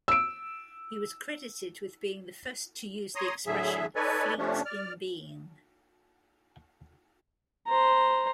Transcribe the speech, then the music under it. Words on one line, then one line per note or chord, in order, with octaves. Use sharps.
He was credited with being the first to use the expression, "fleet in being".
E6 D7
C#5 A#5 C6 D#6
A2 D3 F#3 G#4 E5
D#4 A4 B4 C#5 D5 G#5
C3 F3 A3 C#4 D4
D5 F6
C5 A#5